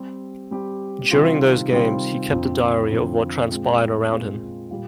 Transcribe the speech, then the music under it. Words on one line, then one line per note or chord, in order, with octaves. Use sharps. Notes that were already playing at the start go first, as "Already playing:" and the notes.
During those games, he kept a diary of what transpired around him.
Already playing: G3 C4 G4
G3 C4 G4
C3 D#3 G3 C4 F4
C3 D#3 G3 C4 F4
F2 D3 F3 C4
F2 D3 F3 C4
A#2 G#3 C4 F4
A#2 G#3 C4 F4
A#2 G3